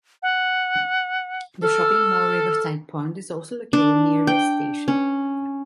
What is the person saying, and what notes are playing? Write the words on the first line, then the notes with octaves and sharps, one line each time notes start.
The shopping mall Riverside Point is also located near this station.
F#5
A4 F6
D4
G5
C#4